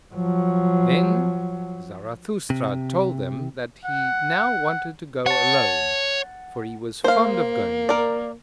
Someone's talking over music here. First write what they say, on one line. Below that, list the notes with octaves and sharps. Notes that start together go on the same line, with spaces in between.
Then Zarathustra told them that he now wanted to go alone; for he was fond of going alone.
F3 F#3
C3
F#5
C#5 F#5 A5
A#3 C5 F5
A#4 D5